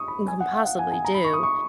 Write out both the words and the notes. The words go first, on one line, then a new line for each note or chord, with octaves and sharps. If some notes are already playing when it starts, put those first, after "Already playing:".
can possibly do,
Already playing: C#6 D#6
B5
G#5
F#5
F5
F#5
G#5
G#5
A#5
B5
C#6
D#6
C#6